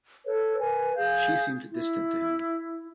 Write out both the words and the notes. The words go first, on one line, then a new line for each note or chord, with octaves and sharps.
She seemed distant to him.
A4 B4 C#5
A#4 B4 G#5
G#4 F5 G6
E4